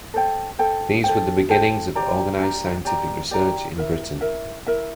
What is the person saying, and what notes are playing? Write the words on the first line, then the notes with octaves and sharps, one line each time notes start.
These were the beginnings of organised scientific research in Britain.
A4 C5 G5
A4 C5 G5
A4 C5 G5
A4 C5 G5
G4 D5 G5 A#5
G4 D5 G5 A#5
G4 D5 G5 A#5
G4 D5 G5 A#5
E4 A#4 E5
E4 A#4 E5
E4 A#4 E5